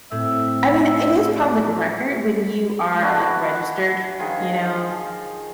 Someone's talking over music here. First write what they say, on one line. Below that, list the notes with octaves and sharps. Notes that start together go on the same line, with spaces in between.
I mean, it is public record when you are, like, registered, you know?
A2 C4 E5
E3 D4 E4 F#4
D#3 F3 G#4